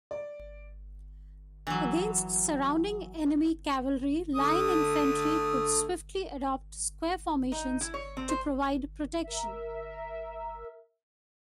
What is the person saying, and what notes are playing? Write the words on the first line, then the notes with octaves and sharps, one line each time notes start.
Against surrounding enemy cavalry, line infantry could swiftly adopt square formations to provide protection.
D5
E3 F#3
D3 A3 D#6
D#4
E4
C#5
C4
C5
A#4 E5